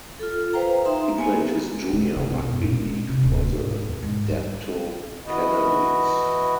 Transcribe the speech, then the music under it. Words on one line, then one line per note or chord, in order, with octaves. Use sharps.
He played his junior rugby league for the Dapto Canaries.
F4 A4
B4 C5 F5 G5 A#5
D#4 E5 A#5 C6
A#3 B3 G#5
D3
C#3
B1
F#2
A#2
G#3
C3
D1
G#2
F2
G#2
G2
E3 E4 F#4 D#5